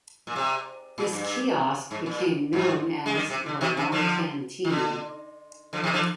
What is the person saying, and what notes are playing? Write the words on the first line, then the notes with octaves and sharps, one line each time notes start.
This kiosk became known as the 'Long Canteen'.
A#2
C3
A#2
G2
G#2
A#2
G#2
G#3
D#3 G3
C3
D3
C3 D#3
C3 D#3
D3 F3
D#3
D3
D3 F3
C3 D#3
D3 F3